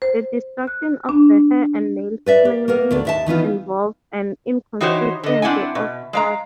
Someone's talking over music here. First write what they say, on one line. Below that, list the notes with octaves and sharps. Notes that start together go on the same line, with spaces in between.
The destruction of the hair and nails plainly involves an inconsistency of thought.
C5
F#6
D4
B4 D5 E5
G4
A#3 B3 A#4
D2 D4 D5
D#2 E5 A5
D#3 E3 B3 F4
E3 D#4 F#4 G4 C5 C#5
D3 D#5
C4 D4 E4 F#5 G#5
B2
G#3 F5 A#5